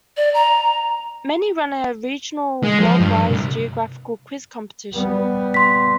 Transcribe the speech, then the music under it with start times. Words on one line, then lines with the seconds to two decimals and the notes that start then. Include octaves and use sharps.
Many run a regional Worldwise geographical quiz competition.
0.17 D5
0.34 A#5
2.64 G#3
2.80 F3
3.00 G2
3.30 C2
4.94 G3 B3
5.54 C6 B6